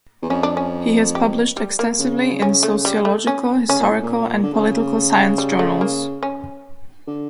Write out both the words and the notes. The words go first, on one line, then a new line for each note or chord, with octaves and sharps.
He has published extensively in sociological, historical and political science journals.
E2
F2 C#4
D4
C#4
G4
G3
A#3
C#3
C#4
A3
G3
A3
C#4
C#3 C#4
A#2
A2
A#2
D3
C#3
G3
A3
A#3
C#4
D3